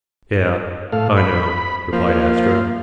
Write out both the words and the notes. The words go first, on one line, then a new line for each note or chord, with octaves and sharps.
"Yeah, I know," replied Astro.
A2 A4 F5
B5
F3 A#3 F5